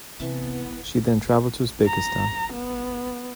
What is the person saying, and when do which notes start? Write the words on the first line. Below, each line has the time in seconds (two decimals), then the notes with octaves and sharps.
She then traveled to Uzbekistan.
0.20 C3 E3 B3 E5 A5
1.87 A#5
2.53 B3